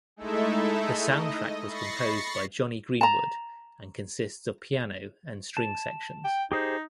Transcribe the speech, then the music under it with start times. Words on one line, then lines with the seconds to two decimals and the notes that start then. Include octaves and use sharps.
The soundtrack was composed by Jonny Greenwood and consists of piano and string sections.
0.16 G#3 A3 D#4 E4 A4 E5
0.96 D#5
1.65 B5 C#6 A6 A#6 C7 C#7
3.01 A5 A#5
5.57 A5
6.24 G5
6.52 D#4 G4 G#4 C5